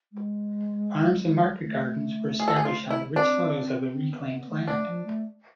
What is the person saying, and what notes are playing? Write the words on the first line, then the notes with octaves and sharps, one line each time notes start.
Farms and market gardens were established on the rich soils of the reclaimed land.
G#3
A3
G#4
A4
G#4
F4
E4
C4 D4
C4
C4
B3
B3
A3
A3 D4
F3
A3